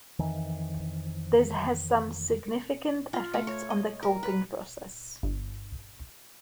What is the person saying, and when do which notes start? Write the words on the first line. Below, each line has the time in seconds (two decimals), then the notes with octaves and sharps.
This has some significant effects on the coating process.
0.19 F2 D#3 E3
3.13 F4
3.34 A3
3.47 C#5
3.70 D#5
4.03 A#4
4.23 B4
5.23 G1